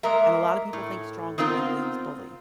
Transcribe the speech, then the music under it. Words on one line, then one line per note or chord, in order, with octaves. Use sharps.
and a lotta people think strong woman means bully.
G#3 A#3 A#4 E5
A2
B3 C4 D#4 F4 A#4